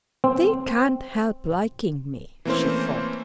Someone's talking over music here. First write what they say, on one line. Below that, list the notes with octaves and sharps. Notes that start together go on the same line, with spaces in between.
"They can't help liking me," she thought.
C4
E3 A3 A#3 C4 C#4 C5